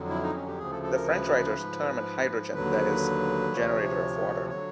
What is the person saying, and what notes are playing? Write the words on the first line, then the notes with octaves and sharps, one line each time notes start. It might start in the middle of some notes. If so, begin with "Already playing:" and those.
The French writers term it hydrogen, that is, generator of water.
Already playing: F2 D3 F#3
E4
D#4
C#4
G4
D2 C#3 F3 G#4
A4
A4
A#4
B4
G#2 F3
D#2 D3 F#3 B4
D2 C3 F3 C#5
D3 F#3 C#5